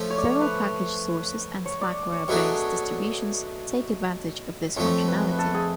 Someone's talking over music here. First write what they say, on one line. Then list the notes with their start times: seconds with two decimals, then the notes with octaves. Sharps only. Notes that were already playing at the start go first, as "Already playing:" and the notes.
Several package sources and Slackware based distributions take advantage of this functionality.
Already playing: F3 A3 C#4
0.10 C#5
0.18 D5
0.25 C#5
0.41 B4
1.66 C#5
1.81 D5
2.12 C#5
2.28 B2 F#3 A3 D4 G#4 C#5
4.77 F2 F3 A3 C#5
5.08 B4
5.32 B4
5.38 A4
5.54 G#4